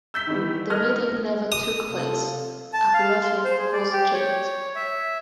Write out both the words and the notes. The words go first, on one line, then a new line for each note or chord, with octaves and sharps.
The meeting never took place; Abulafia was jailed.
E6 G6 B6
D#3 E3 G3 B3
A4 A#4 D#5 F6 G#6
D#6
C3 F4 A4
A5
F5
C6
C5
G#4
D5
G4
C#5
E5